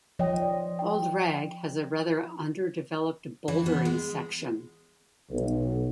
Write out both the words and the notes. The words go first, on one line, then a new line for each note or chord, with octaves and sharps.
Old Rag has a rather underdeveloped bouldering section.
F3 C#5 D#5 G5
D5
G5
E3
B3
G#3
B1